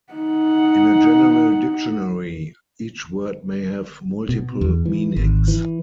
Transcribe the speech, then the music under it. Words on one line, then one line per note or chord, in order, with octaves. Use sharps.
In a general dictionary, each word may have multiple meanings.
D#4 F#5
B2
E2
E3
G#1
E3